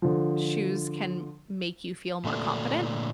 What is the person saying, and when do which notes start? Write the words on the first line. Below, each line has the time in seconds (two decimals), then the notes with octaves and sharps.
shoes can make you feel more confident
0.02 D3 F3
2.25 A#2 D3 A3 D4